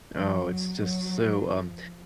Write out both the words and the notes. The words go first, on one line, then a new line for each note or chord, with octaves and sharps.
Oh, it's just so, um
F3
F#3
F#3
F3